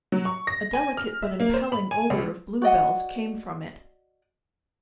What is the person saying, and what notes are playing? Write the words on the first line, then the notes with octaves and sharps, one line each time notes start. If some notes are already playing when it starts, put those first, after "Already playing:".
A delicate but impelling odor of bluebells came from it.
F#3
C#6
A#6
G#5
F6
E5
A#3
C5
B5
G#5
C#2
F#4 D5 D#5 F#5